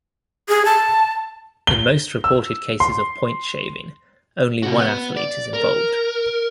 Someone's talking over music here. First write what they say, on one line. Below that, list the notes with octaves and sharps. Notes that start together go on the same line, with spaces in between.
In most reported cases of point shaving, only one athlete is involved.
G#4
A5
G7
E6
C6
C3 F#4
B3
D5
A#4